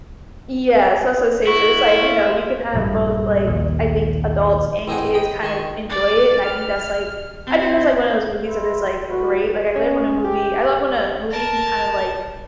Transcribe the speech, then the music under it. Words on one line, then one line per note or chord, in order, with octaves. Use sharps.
Yeah, so so say so it's like, you know, you can have both like, I think adults and kids kind of enjoy it, and I think that's like I think that's like one of those movies that is like great, like, I live when a movie I love when a movie can kind of like
E4 F#4
F4
A#1 G2 F3 G3
A#1 D#2
A1 C4 D#4 G#4 F#5
D#5 G5 B5
D#3 C6 C#6
D5
F6
C4
B4 E5 C6
A3 E4 F#4 B4
C#4
G4
A#4 A5